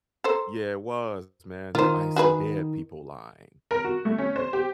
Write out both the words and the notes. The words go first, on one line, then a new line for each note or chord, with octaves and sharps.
Yeah, it was, man, the, "I see dead people," line.
A4 A#4 C5
D#3 F4 C5
F#4 G#4 B4
A#4
F#4
A3
C#4
C5
G4